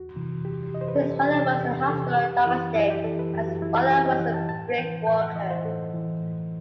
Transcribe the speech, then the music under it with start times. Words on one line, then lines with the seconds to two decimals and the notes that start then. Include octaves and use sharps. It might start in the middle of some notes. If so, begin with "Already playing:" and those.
His mother was a hospital domestic and his father was a brickworker.
Already playing: E2 F#4
0.16 C3 E3
0.45 E2 G4
0.74 C3 E3 D#5
0.81 C5
0.88 B4
0.96 A4
1.02 E2 G4
1.31 C3 E3
1.60 E2 G4
1.89 C3 E3 A4
2.17 F#2 G4
2.46 E3 E4
2.75 F#2 E4
2.90 G4
3.04 E3 A4
3.19 B4
3.34 F#2 G4
3.47 F#4
3.62 E3 E4
3.77 E4
3.91 F#2 G4
4.05 D#5
4.15 G5
4.19 E3 F#5
4.34 A5
4.49 A2 A5
4.78 E3 G5
5.07 A2 G5
5.21 F#5
5.35 E3 D#5
5.51 C5
5.65 A2 A4
5.94 E3
6.22 A2